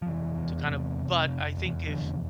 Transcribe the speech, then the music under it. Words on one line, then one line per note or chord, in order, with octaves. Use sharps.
to kinda but I think if
F3
F1 E3
E2
C3
F1
F1
E2
F1 D3